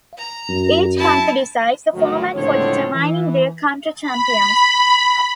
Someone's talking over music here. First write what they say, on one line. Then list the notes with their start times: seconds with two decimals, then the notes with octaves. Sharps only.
Each county decides the format for determining their county champions.
0.18 A#5
0.49 F#2
0.96 E4 A5
1.93 G1 D2 D#3 F#3
2.34 C#2 A2 D3 F3 C4 C#5
2.93 E3
4.01 B5